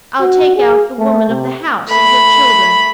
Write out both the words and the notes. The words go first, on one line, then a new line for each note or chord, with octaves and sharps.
I'll take out the woman of the house, and her children.
F#4
G#4
A3
C3
A3 B5